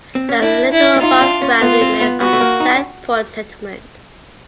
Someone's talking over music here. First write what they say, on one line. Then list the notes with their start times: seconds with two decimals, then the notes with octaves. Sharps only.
There are little above ground remains of the South Point Settlement.
0.15 C4
0.29 C#4
0.42 D4 E4
0.72 E4
0.96 D4
1.01 D#4 F4
1.21 D4
1.42 C#4
1.61 B3 F4
1.81 C4
2.01 B3
2.21 B3 F#4
2.33 A3
2.40 A#3
2.60 D#4
2.74 D4